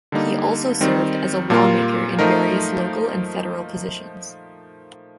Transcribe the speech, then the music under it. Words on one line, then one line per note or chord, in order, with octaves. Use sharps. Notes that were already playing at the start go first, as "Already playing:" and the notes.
He also served as a lawmaker in various local and federal positions.
D3 G3 A#3 D#4
D#3 G3 C4 D#4
A#2 G3 A#3 F4 A#4
F3 A3 D#4 A#4